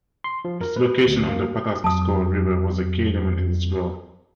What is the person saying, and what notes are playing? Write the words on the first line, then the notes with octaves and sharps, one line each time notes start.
Its location on the Patapsco River was a key element in its growth.
C6
F3
A#4
B4
D2
A#3
F2 F#3 A5 D#6